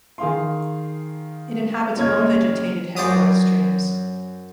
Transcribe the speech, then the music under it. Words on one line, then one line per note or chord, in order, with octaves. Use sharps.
It inhabits well vegetated headwater streams.
D#3 G#4 F5 C6
F#1 D#2 C#5 D#5 F6 G#6
F#2 C5 D5 D#6